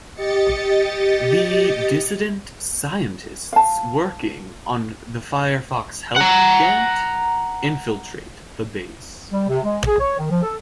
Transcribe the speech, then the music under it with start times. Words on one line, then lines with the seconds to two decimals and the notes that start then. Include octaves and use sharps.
The dissident scientists working on the Firefox help Gant infiltrate the base.
0.14 G4 D#5 A6 C#7
3.53 F5 A5
6.17 F#5 A#5
9.32 G3
9.48 C3
9.64 G#3
9.87 G#4
9.99 C#5
10.18 D#3
10.30 F3
10.43 A4